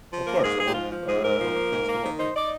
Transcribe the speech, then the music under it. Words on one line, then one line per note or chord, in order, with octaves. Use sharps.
Well, of course, I hope uh, I hope things go well for you.
F3
A#3 A#4
G#2 G#4
G#2 G#4
G4
F3 F4
F3
G#2 G#4
G#2 A#4
F3
A#3
G#2
A#3
D#3
D#4 C5
D#4 D5